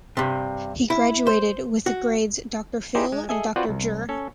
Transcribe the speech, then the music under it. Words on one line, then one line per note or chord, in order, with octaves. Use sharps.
He graduated with the grades Doctor phil and Doctor jur.
G2 C3
E4
C5
F#4
D#4 E4 G4 G#4 C5 D5
G#3
G#4 A4 D#5 E5 G#5
C4 F4 F#4 B4 D5 F#5
C2
C#4 A4